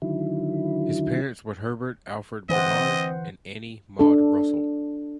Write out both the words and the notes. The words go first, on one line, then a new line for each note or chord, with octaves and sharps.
His parents were Herbert Alfred Barnard and Annie Maude Russell.
D3 D#3 F#3 E4
D3 E3 C4 C5 D#5 F#5
D4 A4